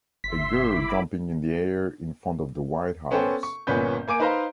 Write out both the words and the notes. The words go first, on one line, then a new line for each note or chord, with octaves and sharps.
A girl jumping in the air in front of the White House.
G1 E5 C6 B6
E4 B5 D6
B3 C#4 A4 C5 G5
C#6
G1 A#2 B3 C#4 B4 G6
A#3 G#5 D6 D7
D#4 B4 C5 D#5 F5 A#5